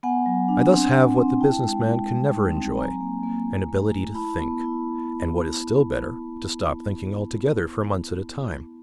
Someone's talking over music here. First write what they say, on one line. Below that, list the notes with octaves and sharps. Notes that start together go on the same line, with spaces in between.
I thus have what the business man can never enjoy, an ability to think, and, what is still better, to stop thinking altogether for months at a time.
B3 F#5 G#5
F#3
D4
C4
C4
C4
E4 G5 A5
G#3
G#3
G3
D#4
C4
F#3 G#5 A#5
A#3
A#3
E4
A3
E4
E4 A5 B5
B3
E4